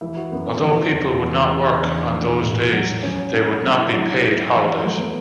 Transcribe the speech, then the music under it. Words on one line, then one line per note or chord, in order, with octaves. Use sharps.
Although people would not work on those days, they would not be "paid" holidays.
E3 E4
F#4
F#2 B3
C#4
E3
E2
E2
C#3
E2 D4
E3
A2
F#3
F#3 C#4
G#2
F#3 D4
E4
F#3 E4
E4
G#2
E3
F#3 A3
B3